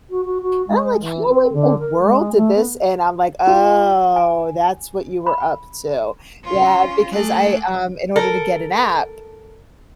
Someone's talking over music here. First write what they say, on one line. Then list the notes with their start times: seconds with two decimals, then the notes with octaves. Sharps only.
and I'm like, "How in the world did this?" And I'm like, "Oh, that's what you were up to." Yeah, because I um, in order to get an app,
0.10 F#4
0.25 F#4
0.41 F#4
0.68 G#3
1.01 E3
1.28 C4
1.53 D3
1.79 A#4
2.02 G#3
2.36 A3
2.55 B3
3.47 F4
4.16 G#5
5.26 B5
6.43 C#4 F4
7.12 A3 G#4 A4 D6 F#6
8.16 A4 A#4